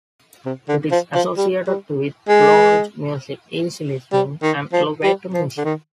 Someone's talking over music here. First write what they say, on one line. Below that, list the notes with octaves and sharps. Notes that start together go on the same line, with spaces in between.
It is associated with lounge music, easy-listening, and elevator music.
C3
D3
F3
F3
G3
G3
G#3
G3
D#3
F3
G3
F3
D3
D#3